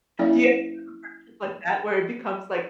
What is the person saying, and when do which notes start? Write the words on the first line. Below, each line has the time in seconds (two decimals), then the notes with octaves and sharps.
Do you have some friendship like that, where it becomes, like,
0.19 F#3 A#3 C#4 E4 D5 E5